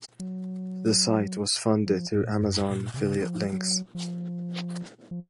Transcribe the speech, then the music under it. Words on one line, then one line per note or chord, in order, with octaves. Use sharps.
The site was funded through Amazon affiliate links.
F#3
F3
G#2
A#2
G#2
F#2
A#2
B2
C#3
F#3
F3
F#3
F3
F3